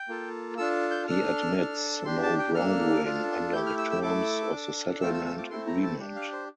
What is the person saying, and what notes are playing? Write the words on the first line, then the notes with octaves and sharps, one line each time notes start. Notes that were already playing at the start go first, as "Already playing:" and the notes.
He admits no wrongdoing under the terms of the settlement agreement.
Already playing: G5
A#3 F4 A4
D4 F4 A4 E6
G6
D4 A4 F6
D4 A4
D4 G4 C6
A5
G5
A#3 D4 A4 F6
D4 F4 A4
A3 E4 G4 G6
F6
E6
E6
A3 E4 A4 D6
D4 A4
A3 C4 F4 A4 E6
E6
E6
D6
A3 C4 E4 A4 C6
A#5
A5
D4 G4
F5
C5